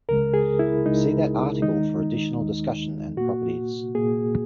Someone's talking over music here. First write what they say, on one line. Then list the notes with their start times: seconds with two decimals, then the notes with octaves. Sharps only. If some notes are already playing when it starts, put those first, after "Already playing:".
See that article for additional discussion and properties.
0.09 C#2 C#3 G#3 A#4
0.34 G#4
0.59 E4
0.86 C#2 C#3 G#3 D#4
1.62 D#2 D#3 G#3 D#4
2.41 D#2 D#3 G#3
3.17 A#2 A#3 F#4
3.95 A#2 A#3 G#4